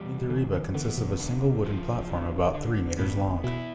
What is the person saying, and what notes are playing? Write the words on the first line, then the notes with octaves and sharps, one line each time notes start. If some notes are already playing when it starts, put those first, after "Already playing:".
Mindaribba consists of a single wooden platform about three metres long.
Already playing: E2 G3
E2 D3
D3
D3 B3
B2
D3
F3
D3
D3
A2 B3
B2 E4